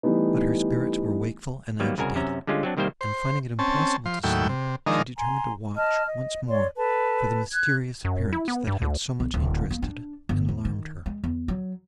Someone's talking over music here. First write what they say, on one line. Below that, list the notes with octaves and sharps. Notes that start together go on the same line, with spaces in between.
But her spirits were wakeful and agitated, and, finding it impossible to sleep, she determined to watch, once more, for the mysterious appearance, that had so much interested and alarmed her.
E3 G3 A3 B3 D#4
D#2 F#3 G3 A#3 B3
C2 C#3 F#4 A#4 G#5
F#2 C3 C#4 E5 A#5
D3 G3 G#3 C#4 F4
F#3 C4 D4
C2 D#3 G3 A#3 C5 G5
C5
C4 C#4 A5
F3 C6
D#2 A2 F#3 G5 E6
C3
D#3 F3 G#3 D4 D#4 A#4
G#5 A#5 C6
D#5 A5 F6
D#5
C#5 D5 C6
A4 B4 A5
F#6 G#6
F#2
E4
B3
G2
D2
B1
D1
A#3
D4
G1
E2
D#3
G#3
E2
F#3